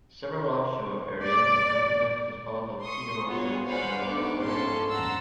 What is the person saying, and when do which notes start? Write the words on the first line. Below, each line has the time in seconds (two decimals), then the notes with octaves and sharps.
Several offshore areas are protected as part of Fiordland's marine reserves.
1.23 D5
2.83 C6 C#6 D#6
3.27 B3 F4 F#4 G#4 C#5
3.67 B4 C5 D5 F5 F#5 G#5
4.05 D2 B3 D#4 C#6 D6
4.41 A#1 G#2 C#4 A4 C6
4.89 F#5 A#5 C6 E6 A6